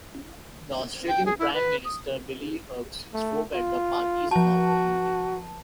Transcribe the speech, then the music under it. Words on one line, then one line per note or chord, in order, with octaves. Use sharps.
The Australian prime minister, Billy Hughes, spoke at the party's inaugural meeting.
G5
G#4
E4
B4
D#6
A3
F4
F3 F#4 A5